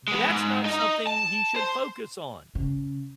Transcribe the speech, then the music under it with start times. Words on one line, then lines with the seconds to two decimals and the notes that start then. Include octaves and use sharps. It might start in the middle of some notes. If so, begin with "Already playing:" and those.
That's not something he should focus on.
0.08 G#3 B3
0.29 G#2
0.66 D#4 D#5
1.07 A5
1.56 C5
2.55 C#3